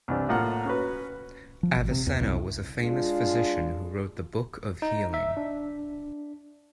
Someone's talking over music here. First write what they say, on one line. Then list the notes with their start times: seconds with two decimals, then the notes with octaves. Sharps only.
Avicenna was a famous physician who wrote the Book of Healing.
0.08 C2 E3 D4
0.29 A2 A#3 F4 F#5
0.65 C#4 F#4 B4
1.63 F3
1.76 G#1
1.91 C3
2.07 E2
2.21 C2
2.79 G#3 D4 F4
4.82 D#4
5.14 E5
5.37 D4